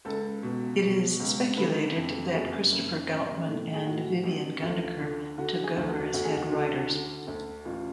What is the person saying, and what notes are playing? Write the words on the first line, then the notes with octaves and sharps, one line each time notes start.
It is speculated that Christopher Goutman and Vivian Gundaker took over as Head Writers.
C#2 A4
B2
B2
C#2
D3 B4
F2
F#4
F#1 G#4
F#1
A1
A2
G#4
A2 F#4
A1
D2 F4
D3
D3 F#4
G#4
D2
F#4
D2 F#4
G#4
F#4
D3
D3
D2
A1 F4